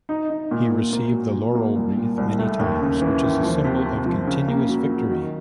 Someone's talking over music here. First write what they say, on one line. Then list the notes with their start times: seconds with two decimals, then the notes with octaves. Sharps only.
He received the laurel wreath many times, which is a symbol of continuous victory.
0.09 D#4
0.30 D#4
0.51 A#2
0.72 A#2
0.93 A#3
1.13 F#3
1.34 F#3
1.55 A#3
1.76 C2
1.97 A#2
2.18 C2
2.39 A3
2.59 D#2
2.81 C#3
3.02 E3
3.23 D#2
3.43 F3
3.64 C3
3.86 C3
4.06 F3
4.27 C#3
4.48 A#3
4.69 F#3
4.90 F#3
5.11 D#3